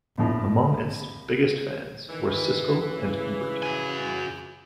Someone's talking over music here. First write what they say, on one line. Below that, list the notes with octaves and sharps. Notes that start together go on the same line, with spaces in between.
Among its biggest fans were Siskel and Ebert.
A#1 F2 A2
D#3 E3
C#3
F#4 G#5